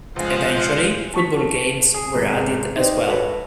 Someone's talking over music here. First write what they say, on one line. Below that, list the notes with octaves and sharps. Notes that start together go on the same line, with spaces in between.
Eventually, football games were added as well.
C#2 F3 G#3 C5 F5 F#5
A5 C#6 B6
G#4
G#1 C3
D#4 C5 D5 G5
F#4 A4 B4 C#5